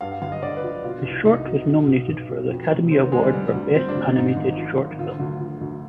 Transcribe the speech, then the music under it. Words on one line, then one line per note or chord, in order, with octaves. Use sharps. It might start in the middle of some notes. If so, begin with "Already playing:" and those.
The short was nominated for the Academy Award for Best Animated Short Film.
G2 F5
F5
G1 F5
D#5
D3 D5
B4
F3
B2 F4
C2
C2 D#4
B2
B2
B1
B1
B2
F2
F1
D#3 C4
B3
F1 G#3
G3
D3 G3
G3
D2
F3 C4
D4
D2
D4
G#2 D#4
G#1
F3
G#1
D3 F4
D2
F3
D2